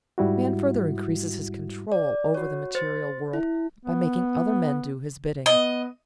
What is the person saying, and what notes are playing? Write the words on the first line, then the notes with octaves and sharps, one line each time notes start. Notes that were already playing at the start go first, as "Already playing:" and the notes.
Man further increases his control over the material world by making other men do his bidding.
G#2 G3 E4 F#4
D5
F#4 C#5
C5 A6
E4
B3
B3 D#5